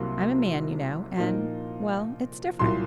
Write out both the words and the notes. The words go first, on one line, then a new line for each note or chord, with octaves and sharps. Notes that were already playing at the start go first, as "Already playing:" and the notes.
I'm a man, you know, and--well, it's different.
Already playing: C2 C3 F#3 A#3 C6
A#2 F3 A#3 D#4
C2 A#2 F#3 C6